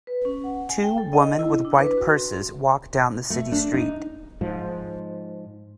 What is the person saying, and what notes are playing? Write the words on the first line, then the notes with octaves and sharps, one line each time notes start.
Two woman with white purses walk down the city street.
B4
C#4
F#5
G#5
G5
A4
D#5
E4
D4
B4
F#4
C6
A3
D4
D#4
G#2 F3